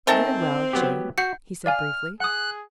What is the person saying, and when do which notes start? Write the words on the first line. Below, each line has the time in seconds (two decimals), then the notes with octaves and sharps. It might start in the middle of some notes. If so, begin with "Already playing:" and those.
"Very well, Jane," he said, briefly.
0.07 D#3 C4 A4 C5 E5 G#5 A5
0.73 F#3 B3 G4
1.18 F#4 F#5 G6 C#7
1.66 D5 F5 G#5 F6
2.20 G#4 F#5 D#6 F#6